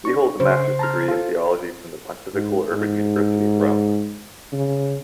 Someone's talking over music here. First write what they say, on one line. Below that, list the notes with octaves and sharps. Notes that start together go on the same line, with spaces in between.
He holds a master's degree in theology from the Pontifical Urban University in Rome.
D4 C#6
C#3 C5
A5 A#5 F6
F4 A4
G#2
G#2
C#3